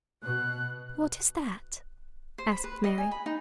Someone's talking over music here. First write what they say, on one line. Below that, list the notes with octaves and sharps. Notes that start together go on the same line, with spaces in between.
"What is that?" asked Mary.
B2 F#6
C5
B5
B4
D#5
G#5
B5
D#4